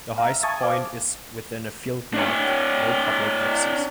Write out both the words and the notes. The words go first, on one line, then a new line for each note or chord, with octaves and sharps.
The highest point is within a field marked "No public access".
F5 A#5
E5
G#5 A5 C#6 D#6 G#6 A6
C5 F5 D6
D4 C#5